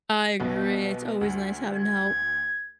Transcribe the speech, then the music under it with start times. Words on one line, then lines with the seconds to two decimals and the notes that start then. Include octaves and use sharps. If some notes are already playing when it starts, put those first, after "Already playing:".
I agree, it's always nice having help.
0.40 B1 B2 B3
1.21 D2
1.73 G#6